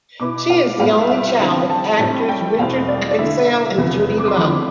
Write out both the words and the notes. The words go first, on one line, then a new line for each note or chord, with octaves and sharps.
She is the only child of actors Richard Beckinsale and Judy Loe.
B2 B3 E4 D6
F5
A2 G3 B3 E4 F5
E5
F5
D3 G3 C4 E4 G5
A5
A2 G3 C4 E4
G5
E2 B2 G3 C4 E4 F5
D5
D5
D3 A3 E4 E5
E2 C3 F3 B3
D6
C6
D3 F3 A3 C4 E4 B5